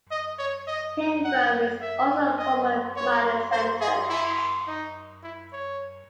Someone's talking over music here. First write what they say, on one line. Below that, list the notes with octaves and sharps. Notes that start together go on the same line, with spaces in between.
Tyndrum is also a former mining centre.
D#5
C#5
D#5
F#5
E5
D#5
C#5
C5
G#4
E4
D#4
E4
C#5